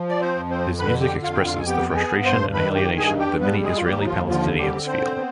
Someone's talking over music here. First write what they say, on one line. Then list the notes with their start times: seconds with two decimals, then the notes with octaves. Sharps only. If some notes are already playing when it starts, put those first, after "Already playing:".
His music expresses the frustration and alienation that many Israeli-Palestinians feel.
Already playing: F3
0.09 D5
0.21 C4 C5
0.36 F2
0.50 C4 C5
0.79 D3 B4 B5
1.01 G4 G5
1.22 F2 F4 F5
1.34 G5
1.44 F4 F5
1.59 G#5
1.66 B3 G4 G5
1.89 G5
1.95 G#4 G#5
2.10 G2
2.25 C5 C6
2.54 D#3 B4 B5
2.75 G4 G5
2.97 G2 G#4 G#5
3.19 G4 G5
3.41 G3 B3 B4
3.63 G#3 G#4
3.76 F4
3.84 D#2 G3 G4
4.00 D#4
4.06 F3 F4
4.28 D3 F3 F4
4.58 G3 G4
4.72 C4
4.86 C4 C5
5.16 B3